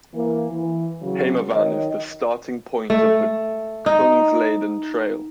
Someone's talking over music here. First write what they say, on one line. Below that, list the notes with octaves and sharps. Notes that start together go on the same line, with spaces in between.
Hemavan is the starting point of the Kungsleden trail.
E3 A#3
E3
C#3 F#3
D#3 C#5 D#5
A3
D#4